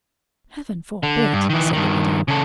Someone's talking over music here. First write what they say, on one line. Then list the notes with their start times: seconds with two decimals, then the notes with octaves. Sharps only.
"Heaven forbid!" said the widow.
1.03 D3
1.33 G2
1.50 D#3 E3
1.73 G2 D#3
2.28 C#3 A4